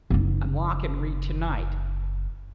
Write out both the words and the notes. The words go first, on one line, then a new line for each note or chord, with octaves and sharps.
"Unlock and read to-night."
F#1 D#4